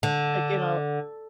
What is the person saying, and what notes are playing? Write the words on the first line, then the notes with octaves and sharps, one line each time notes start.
like, you know
D3